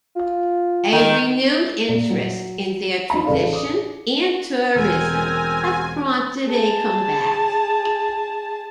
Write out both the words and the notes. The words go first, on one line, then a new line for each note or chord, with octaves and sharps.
A renewed interest in their tradition and tourism have prompted a comeback.
F4
D#3 D#4
A#2
F#3
D#4 B5
A1 C#3 A4 D5 F5
D6 D#6
E1 C4 A#4 G#5
G#4 A5